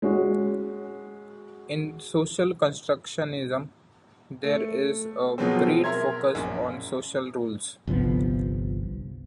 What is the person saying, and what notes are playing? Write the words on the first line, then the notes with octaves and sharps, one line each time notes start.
In social constructionism there is a great focus on social rules.
G#3 C#4 F#4
A3
B2 F3 F#3 G#3 B3 C4
A#4 E5 A#5 C6 G#6
A#1 F#2
G1 C2 F3 B3